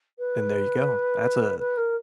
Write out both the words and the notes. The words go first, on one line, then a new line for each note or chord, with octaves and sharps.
then there you go. That's a
B4
B4
A#4